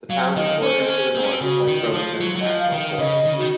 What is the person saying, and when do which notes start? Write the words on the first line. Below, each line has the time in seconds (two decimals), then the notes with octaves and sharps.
The town is bordered to the north by Croatan National Forest.
0.09 F#3 F5
0.35 D#3 D#5
0.62 C#4 C5
0.79 C4
0.88 C#4
1.15 C4
1.23 C#4
1.31 C4
1.41 C#3 F#4
1.67 D#3
1.81 F4
1.93 F3
2.19 F#3 F4
2.35 F#3 D#5
2.46 F3
2.59 F5
2.72 D#3
2.98 C#3 D#5
3.25 D#3
3.33 C#3
3.37 D#3 F#4